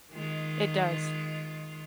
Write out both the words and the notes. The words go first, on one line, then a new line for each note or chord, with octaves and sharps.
It does.
D#3 G#3 F4